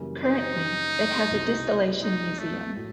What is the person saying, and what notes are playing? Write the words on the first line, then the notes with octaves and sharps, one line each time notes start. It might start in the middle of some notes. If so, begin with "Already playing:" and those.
Currently it has a distillation museum.
Already playing: F#2 C#3 E3 G3 A#3
D#4
C2 B2 G#3 C4 E4
D#4
A3
A2 F#3